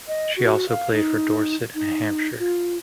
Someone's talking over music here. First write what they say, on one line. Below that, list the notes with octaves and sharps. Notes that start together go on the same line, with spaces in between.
She also played for Dorset and Hampshire.
D#5
F#4
F5
D#4
D#4
F4